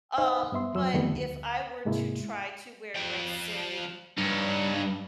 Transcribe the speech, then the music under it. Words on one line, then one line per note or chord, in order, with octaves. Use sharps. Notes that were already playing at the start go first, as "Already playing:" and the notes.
Um, but if I were to try to wear, like, say,
D#4 C5 D#5 F5 F#5 G#5
G2 B3 E5 C6
F2 F#3 E6
F2 D3 D#3 G3 A3 B3
D2
G#2 C3 G#3 A#3 E4
F3 G5
G2 D#4 C#5